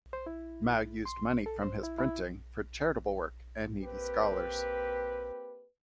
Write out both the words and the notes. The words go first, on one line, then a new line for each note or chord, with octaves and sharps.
Mao used money from his printing for charitable work and needy scholars.
C5
E4
C6
A4
C5
E4
E4
A#3 C4 G4 B4